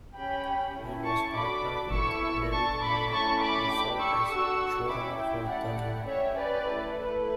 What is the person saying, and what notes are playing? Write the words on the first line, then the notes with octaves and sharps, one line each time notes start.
He was partnered with David Mamet to serve as showrunner for "The Unit".
C#4 G4 G5 B5
C#4 E4 A4
A5 C#6
D4 F#4 A4 B5 D6
B3 E4 A4 C#6 E6
D4 A4 A5 C#6
B5 D6
A3 C#4 E4 A4 A5 C#6
B5 D6
D4 G4
C#6 E6
D4 F#4 A4 C#6 E6
C#4 E4 G4 B5 D6
E5 G5
A3 E4 G4 D5 F#5
C#4 G4 C#5 E5
B4 D5
A3 E4 A4
B4